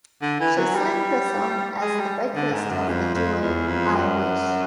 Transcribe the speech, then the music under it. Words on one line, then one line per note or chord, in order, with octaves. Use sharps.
She sang the song as the vocalist of the duo I Wish.
D3
E3
F#3
G3
G#3
G3
D3
G#2
F#2
F2
F2
E2
F2
F#2